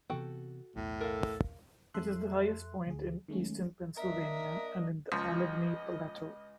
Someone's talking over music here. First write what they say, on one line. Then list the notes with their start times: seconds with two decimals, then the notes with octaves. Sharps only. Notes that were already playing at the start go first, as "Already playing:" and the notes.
It is the highest point in Eastern Pennsylvania and in the Allegheny Plateau.
0.10 C3 E3 B3 F#4 A4 G5
0.76 B1 E2 A2
1.01 A4 A#4 F5
1.94 F2 A4 E5 C6 F#6
2.87 D2 G#4
3.28 D#3 G#3 A3 C#4
3.97 A#3 D4 A#4 D#5 E5
5.12 C#2 F3 D#5